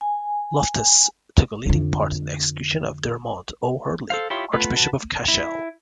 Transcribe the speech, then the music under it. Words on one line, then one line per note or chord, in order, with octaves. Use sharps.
Loftus took a leading part in the execution of Dermot O'Hurley, Archbishop of Cashel.
G#5
F2 D3
A4 C5 F5
E4 F4 G4 C#5 C6
A3 B3 F4 B4
F#4 B4 A5
E4